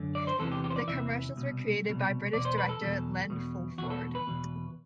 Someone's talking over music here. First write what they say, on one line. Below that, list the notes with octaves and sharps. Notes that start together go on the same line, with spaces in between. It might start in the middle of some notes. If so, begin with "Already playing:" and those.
The commercials were created by British director, Len Fulford.
Already playing: F#2 D3
D5
C5
E2 C3 E3 A4
G4
G4
C5
D5
E2 C3 E3 E5
C2 B2
C2 B2
E2 B2 D5
C5
B4
A4
E2 B2
E2 B2
E2 B2 F#4
A4
B4
E2 B2